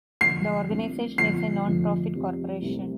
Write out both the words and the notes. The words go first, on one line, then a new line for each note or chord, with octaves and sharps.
The organization is a non-profit corporation.
F1 F2 D3 C7
C2 C3 F3 A3 D4
G1 F2 F3 C7
F1 F2 D3 F3 A3
F2 C3 G3
C2 C3 A3